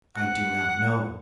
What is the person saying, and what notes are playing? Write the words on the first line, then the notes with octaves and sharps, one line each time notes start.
"I do not know."
F#5